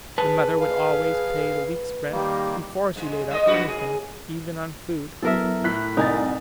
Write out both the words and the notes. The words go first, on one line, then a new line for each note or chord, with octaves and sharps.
The mother would always pay the week's rent before she laid out anything even on food.
G#4 B4 A5
F5
D#3 G3 A#3 G4
G#2 G3
G3 D#5
F#2 F#4 B4
D#2 G#4
F#3 B3 E4 A4 A#4 E5
A2 F#6 B6
C2 D#4 A#4 G#5 A6